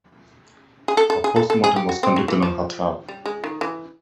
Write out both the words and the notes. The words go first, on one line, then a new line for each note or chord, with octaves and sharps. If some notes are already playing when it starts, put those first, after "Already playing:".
A post-mortem was conducted on Hatab.
G#4
A4
A4
G#4
A4
A4
G#4
G4
F#4
C4
F#3
E3
F3
G3
G#3
D#3
E3